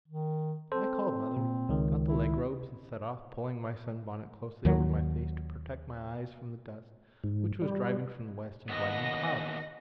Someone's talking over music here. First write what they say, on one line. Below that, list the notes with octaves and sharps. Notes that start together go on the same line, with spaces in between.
I called mother, got the leg-ropes, and set off, pulling my sun-bonnet closely over my face to protect my eyes from the dust which was driving from the west in blinding clouds.
D#3
C4 A4 C5
A#2
C#2 D#3
E4
C3
D#2 D#3 F#3
G#2
G3
D#2 B3 D#5 F#5 A#6